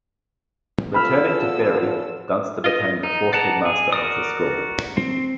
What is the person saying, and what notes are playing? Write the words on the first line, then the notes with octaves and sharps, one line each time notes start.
Returning to Bury, Dunster became the fourth headmaster of the school.
E2 F3 A4 B5 E6 F6
F4 D#5
D#4
D5 F#5 A5 A#5
G#4
F#4 A#4 D5 D#6
C4